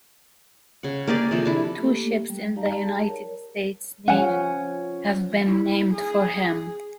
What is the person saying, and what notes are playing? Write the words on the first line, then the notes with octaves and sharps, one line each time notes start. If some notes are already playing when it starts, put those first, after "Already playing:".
Two ships in the United States Navy have been named for him.
C#3 F#5
A#3 G4 G#4 D5
C3 F3 A4
D4 E4
A3 A#3 G4 A4
G3
D#4 G4 D5 F5 A5 A#5
G#4 A5
A#4 C#5
F3 C#4 F#5 G#5
E4
G#4